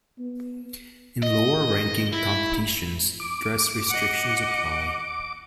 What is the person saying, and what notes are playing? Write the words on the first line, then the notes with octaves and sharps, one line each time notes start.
In lower ranking competitions dress restrictions apply.
B3
D#5
E4
D6
D#5 F#5